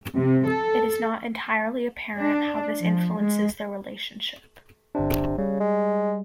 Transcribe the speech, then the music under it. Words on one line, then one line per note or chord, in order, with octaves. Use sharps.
It is not entirely apparent how this influences their relationship.
C3
A4
D4
F3
G#3
G1 C3 D4
C#3 G3
G#3